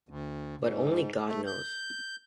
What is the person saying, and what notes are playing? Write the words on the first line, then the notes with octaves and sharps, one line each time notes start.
But only God knows.
D2
G#2
A3
G6